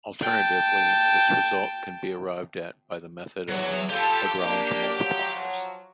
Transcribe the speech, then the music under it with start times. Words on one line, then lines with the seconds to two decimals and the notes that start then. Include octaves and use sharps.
Alternatively, this result can be arrived at by the method of Lagrange multipliers.
0.21 G5 A5
3.48 E2 F#3
3.89 G3 F4 G4 A4 G#5
4.39 A#3 D4
4.94 F3 F#3